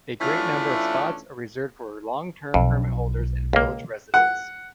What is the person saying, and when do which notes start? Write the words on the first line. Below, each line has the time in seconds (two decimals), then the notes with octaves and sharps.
A great number of spots are reserved for long-term permit holders and village residents.
0.21 E3 A3 C#4 D4 E4 F4
2.54 B1 F2
3.53 C#2 A#3
4.14 F#5